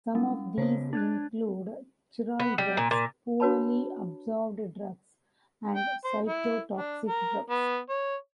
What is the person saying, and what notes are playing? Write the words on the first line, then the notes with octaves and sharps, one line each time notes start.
Some of these include chiral drugs, poorly absorbed drugs, and cytotoxic drugs.
G3 G#3 C#4
C#3 B3 C5 C#5
D4 F#6 G#6 A6
B3
G3
A#2
A#2
D4 F#4 B4 C#5 A5 B5
G5
C5
E4
D4
A#4
B3
C#5